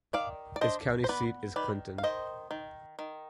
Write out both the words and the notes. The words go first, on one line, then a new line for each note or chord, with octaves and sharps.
Its county seat is Clinton.
D#3 D5 F5
D5
D4 C5 D#5
C5
B3 B4 D5
D#3 B4 D5
F5
D#3 C5 D#5
D#3
D#3